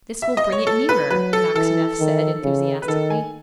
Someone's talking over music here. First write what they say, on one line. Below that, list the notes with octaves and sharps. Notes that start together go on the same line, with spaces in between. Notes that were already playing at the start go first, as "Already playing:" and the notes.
'This will bring it nearer!' Maxineff said enthusiastically.
E5
D#5
C#5
A4
B4
F#3 B4
A4
E3 A4
D#3
C#3
B4
D#3 A4
G#5